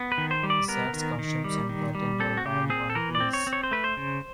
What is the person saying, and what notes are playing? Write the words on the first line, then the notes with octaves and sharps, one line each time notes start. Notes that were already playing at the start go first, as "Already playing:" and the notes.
The sets, costumes, and curtain were by Juan Gris.
Already playing: B3
B4
D#3
C5
G3
D5
B3 A#4
D#3
D#3
G3
D#3
G3
C4 A4
F#4
C#3 G4
C4 G#4
A4
E3 A#4
D5
C4
C#5
C4
C#5
C5
A3 B4
C5
C#3